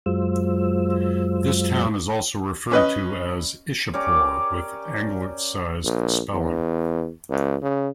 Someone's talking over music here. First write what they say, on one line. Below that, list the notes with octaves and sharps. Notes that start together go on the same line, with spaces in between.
This town is also referred to as Ishapore with anglicized spelling.
F#2 F#3 G#3 F4 C5 E6
C#4 B4 D#5
C#4 G4 A#4 D5
A#1
E2
C#2
C#3